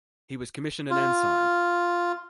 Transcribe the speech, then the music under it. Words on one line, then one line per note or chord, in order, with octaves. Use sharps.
He was commissioned an ensign.
F4